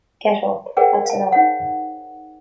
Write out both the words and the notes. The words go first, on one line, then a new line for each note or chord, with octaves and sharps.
Get up — that's enough.
G#4 A#4 C5 D5 F#5 G5
F5 A5
D#4 C#5 F#5